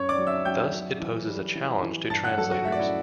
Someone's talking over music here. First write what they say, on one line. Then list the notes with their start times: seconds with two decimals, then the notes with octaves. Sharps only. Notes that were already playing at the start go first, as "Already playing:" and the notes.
Thus, it poses a challenge to translators.
Already playing: F#2 C#5 C#6
0.09 D5 D6
0.18 F#3
0.27 E5 E6
0.45 F#3 G5 G6
0.73 F#3
1.00 E3
1.28 G3
1.55 E3
1.83 E3
2.10 G2 A5 A6
2.24 F#5 F#6
2.38 F#3 A4 A5
2.51 F#4 F#5
2.65 A3 E5
2.72 D5
2.79 E4 E5